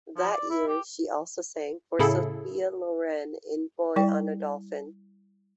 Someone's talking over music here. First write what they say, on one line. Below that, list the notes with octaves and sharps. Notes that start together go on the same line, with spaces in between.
That year, she also sang for Sophia Loren in "Boy on a Dolphin".
F3
D5
E4
G4
A2 C#3 E4 G#4 A4
G3 E4 D5 G5